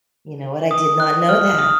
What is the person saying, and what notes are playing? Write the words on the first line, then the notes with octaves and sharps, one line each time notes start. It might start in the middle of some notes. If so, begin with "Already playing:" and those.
You know what? I did not know that.
D#6
F#6
F6
D#6